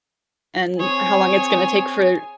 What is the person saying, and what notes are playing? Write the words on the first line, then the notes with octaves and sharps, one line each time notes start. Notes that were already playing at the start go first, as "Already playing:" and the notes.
and how long it's gonna take for
C4 G#4 C#5 G#5